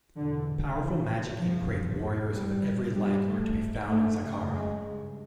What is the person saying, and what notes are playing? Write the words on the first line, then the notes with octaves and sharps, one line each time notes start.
Powerful magic and great warriors of every like are to be found in Zakhara.
E2 B2 D3
G#2
G#2 E3
G#2
F#2 C#3 F3
G2
E2 B2
G#2 G3
G2
G2 G3
G#2 A3
G#2
G#2 A3
F#2 C#3
F#2 C#3 G#3
G2